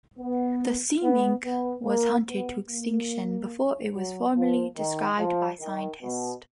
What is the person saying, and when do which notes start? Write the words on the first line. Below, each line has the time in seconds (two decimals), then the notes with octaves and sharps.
The sea mink was hunted to extinction before it was formally described by scientists.
0.18 B3
1.02 B3
1.44 B3
1.84 A#3
2.27 B3
2.68 A#3
3.94 F#3
4.35 F3
4.77 D#3
5.18 F3
5.60 D#3
6.02 B2